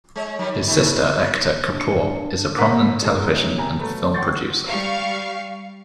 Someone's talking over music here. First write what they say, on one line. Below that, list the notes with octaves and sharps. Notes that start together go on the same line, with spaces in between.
His sister Ekta Kapoor is a prominent television and film producer.
G#3 C#5
D#3 F#3 G3
G2
D#3 A3
D#4 C5
E2 C3 B4
D4
C#7
G#2 A#4 B6
A3
G#3 A3 D4 D#4 G4
F#3 G#3
C#4 D#4 E4
C3 G4 G#5 A#5
F#3 A3 B4
F#5 G5 C6 C#6 G6 A6
G3 F5 C#6